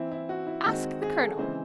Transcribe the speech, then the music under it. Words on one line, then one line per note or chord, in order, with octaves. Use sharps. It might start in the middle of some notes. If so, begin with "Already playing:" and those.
"Ask the Colonel."
Already playing: E3 C4 E4
E4
F#4
E4
D#3 G#3 C4 F#4
G#4
A4
C#3 E3 G#3 C4 C5